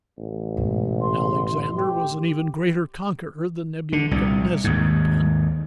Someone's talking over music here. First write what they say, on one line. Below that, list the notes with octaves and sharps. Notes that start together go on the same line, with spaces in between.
Alexander was an even greater conqueror than Nebuchadnezzar had been.
A1
G#2 B2
C6
G4
D3
C2 A#2
D#2 G#2